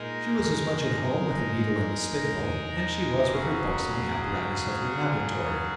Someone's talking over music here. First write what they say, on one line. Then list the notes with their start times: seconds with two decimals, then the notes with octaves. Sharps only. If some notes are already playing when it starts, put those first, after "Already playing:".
She was as much at home with the needle and the spindle as she was with her books and the apparatus of her laboratory.
Already playing: A#2 G#3 D#4 A#4
0.38 E2
0.49 F#2
2.28 F#2
2.38 E2
3.31 C#3 F#3 C#4 G#4
5.19 F#2